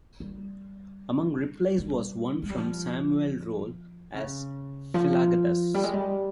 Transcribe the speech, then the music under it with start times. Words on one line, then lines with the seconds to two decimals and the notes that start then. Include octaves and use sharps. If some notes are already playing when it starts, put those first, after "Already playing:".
Among replies was one from Samuel Rolle as Philagathus.
0.20 G3
1.78 G3
2.42 G#3
2.50 G3
2.58 F3
4.15 C#3
4.94 F3
5.74 G3
5.84 G#3
5.94 G3